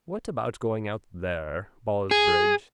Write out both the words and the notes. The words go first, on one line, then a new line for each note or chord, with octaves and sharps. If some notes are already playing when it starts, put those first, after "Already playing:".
What about going out there: Ballsbridge.
G#4